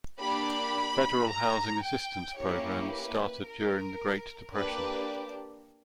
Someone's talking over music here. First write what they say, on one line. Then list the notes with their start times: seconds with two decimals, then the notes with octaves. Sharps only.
Federal housing assistance programs started during the Great Depression.
0.20 A#3 D4 G4 B5
1.29 A#5
1.82 G5
2.37 A#3 C#4 E4 G4 C#5
2.92 B4
3.46 A#4
4.54 A#3 D4 G4 B4